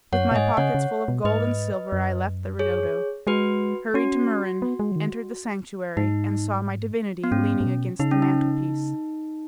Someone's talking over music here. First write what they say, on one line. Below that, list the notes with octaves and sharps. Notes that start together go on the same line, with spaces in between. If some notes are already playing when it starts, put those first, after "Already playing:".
With my pockets full of gold and silver, I left the ridotto, hurried to Muran, entered the sanctuary, and saw my divinity leaning against the mantelpiece.
F#2 C#5 F#5
B2
G#2 D#5 G#5
C#3 C#5 F#5
C#3
B2
G#2 B4 D#5
F#2
G#4 C#5
G#3 F#4 B4
C#4 F#4
B3
G#3
F#3
D#3
G#2 D#4
B3
G#2 C#4
G#2
B2
C#3 D#4
C#4
D#4